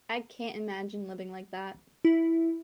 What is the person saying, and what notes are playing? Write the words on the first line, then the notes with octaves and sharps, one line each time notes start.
I can't imagine living like that.
E4